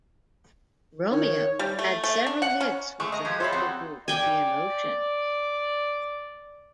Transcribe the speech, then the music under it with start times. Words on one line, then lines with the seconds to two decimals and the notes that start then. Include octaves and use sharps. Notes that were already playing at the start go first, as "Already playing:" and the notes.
Romeo had several hits with the vocal group the Emotions.
1.11 D#3 C#5
1.59 G3
1.79 A3
2.04 A3
2.27 D4
2.42 F#5
2.60 C#4
3.00 G#3 A3 C#6
3.12 G#3 D#5 A#5
3.25 F3 G4 B4 G#6
3.40 E4 A4 C#5 B5 C6
3.53 C4 D#4 F#4
4.08 D5 G5 G#5